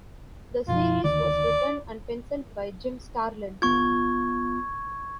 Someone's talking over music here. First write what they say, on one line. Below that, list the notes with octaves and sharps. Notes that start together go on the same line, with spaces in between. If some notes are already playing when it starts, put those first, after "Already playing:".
The series was written and pencilled by Jim Starlin.
F#2 B2 F3 F4
D2 D3 D#3 D5
G1 B3 F4 C#6 G#6